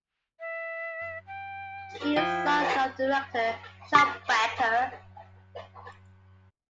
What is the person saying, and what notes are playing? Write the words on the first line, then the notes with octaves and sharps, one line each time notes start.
He is son of the director Jacques Becker.
E5
G5
A#4
F3 E4 G5
D6 C7